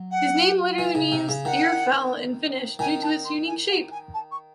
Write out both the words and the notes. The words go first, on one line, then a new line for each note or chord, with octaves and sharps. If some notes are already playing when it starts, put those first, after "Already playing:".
Its name literally means "Ear Fell" in Finnish due to its unique shape.
Already playing: F#3
F#5
E3
C#3
C3
C#3
D#3 F#5
D#3 G#5
A5
C6
G#5
F#5
G#5
A5
C#6